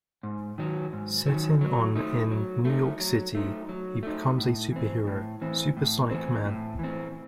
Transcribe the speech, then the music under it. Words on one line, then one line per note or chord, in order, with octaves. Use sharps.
Setting on in New York City, he becomes a superhero, Supersonic Man.
G#2
D#3 F#3
G#2
D#3 F#3
F#3
A3 D#4
F#3
A3 D#4
F#3
A3 D#4
F#3
A3 D#4
A2
E3 C4
A2
E3 C4
A2
E3 C4
A2
E3 C4